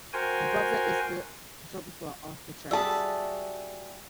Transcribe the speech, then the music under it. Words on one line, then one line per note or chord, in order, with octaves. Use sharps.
Her brother is the photographer Arthur Tress.
F#4 A#4 C5 G5 G#5
G3 F#4 G#4 E5 A5